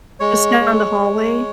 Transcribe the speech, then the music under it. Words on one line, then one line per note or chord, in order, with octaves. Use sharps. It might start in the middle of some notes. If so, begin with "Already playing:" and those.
just down the hallway.
G#3 C#5
G#3
G#3